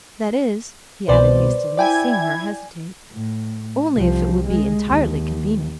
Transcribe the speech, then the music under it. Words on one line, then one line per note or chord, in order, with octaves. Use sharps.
That is," he added hastily, seeing her hesitate, "only if it would be entirely convenient!
C2 B2 B4 C5 D5
E4 D5 G5 G#5 G#6
A2
C2 F3
G#3
D#2